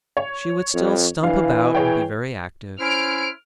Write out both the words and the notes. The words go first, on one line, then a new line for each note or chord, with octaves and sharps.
She would still stump about and be very active.
C#5
F2
E3 D4 F5
G#4 C#5 G5
C#4 E4 C5 F6 D7